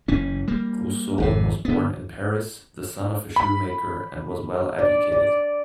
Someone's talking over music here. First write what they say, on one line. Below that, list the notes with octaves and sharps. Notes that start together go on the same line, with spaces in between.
Rousseau was born in Paris, the son of a shoemaker, and was well educated.
F#1 E3 C#4
G3 A#3
G#1 F2 C3
D3 B3
B5
D5
D5